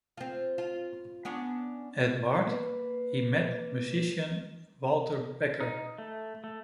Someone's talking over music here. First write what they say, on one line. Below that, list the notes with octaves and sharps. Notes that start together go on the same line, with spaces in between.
At Bard he met musician Walter Becker.
C4 F4
F4
B3 C#4 D4
A#3 B4
D#4
A3
A3